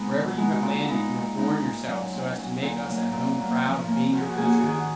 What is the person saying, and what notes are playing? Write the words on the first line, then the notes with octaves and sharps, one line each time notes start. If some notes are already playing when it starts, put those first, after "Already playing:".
Wherever you have landed you have borne yourselves so as to make us at home proud of being your countrymen.
Already playing: G#3 B3 D#4
B2
G#3 B3 D#4
F#4
A#2 F4
G#3 B3 D#4
A#2
G#3 B3 D#4
A#2
F#3 C#4
A#2
F#3 C#4
A#2
F#3 A#3
A#2
F#3 A#3
F3
A#3 C#4
F3 F#4
G#4
F#4
A#3 C#4 G#4
F#4
G#4
D#3 F#4
G#4
F#4